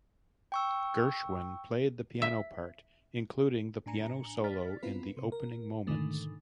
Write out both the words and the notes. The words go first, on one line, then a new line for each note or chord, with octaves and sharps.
Gershwin played the piano part, including the piano solo in the opening moments.
G5 C#6 E6
E5
A2 D4 G#5 A#5 C#7
D5 F6 A6 B6
B3 C4 E4 F4 A#4 B4
C3
A#4
G#2 B2 D3 D#3 A3